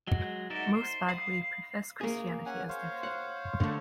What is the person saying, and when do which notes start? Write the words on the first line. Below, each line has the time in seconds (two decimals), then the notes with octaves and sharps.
Most Badwe'e profess Christianity as their faith.
0.07 F#3 G#3 F#4
0.50 D#4 F#4 A#4 D5 E5
0.74 C5
1.09 F5 B5 D#6
2.01 A#3 G#4
2.46 C#4 F#5 G#5
2.69 C5 C#5 F5
3.03 F#5
3.60 D3 A3